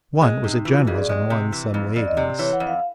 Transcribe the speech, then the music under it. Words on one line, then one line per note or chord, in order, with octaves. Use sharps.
One was a general's and one some lady's.
G#3
C3 D#4
E3 F4
F#4
F2 G#4
D5
G#3
C3
E3
F2
F2 D5
D#5
C3 D5
E3 C#5
F#5
F2
F5